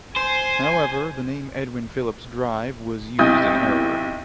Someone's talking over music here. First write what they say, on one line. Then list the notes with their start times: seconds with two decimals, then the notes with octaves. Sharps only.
However the name "Edwin Phillips Drive" was used in error.
0.16 C5 G#5
3.19 B1 C3 E4 D#6 G6